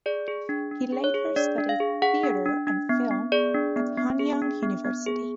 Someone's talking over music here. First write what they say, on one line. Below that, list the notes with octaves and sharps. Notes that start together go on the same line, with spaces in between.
He later studied Theater and Film at Hanyang University.
G#4 D5
G#4
D4
D4
G#4
C#5
G#4
D4 D5
D4
F5
G#4
G#4 F#5
D4
D4
D4
B3
B3
G#4 D5
D4
B3
B3
G#4
D4
B3
B3
G#4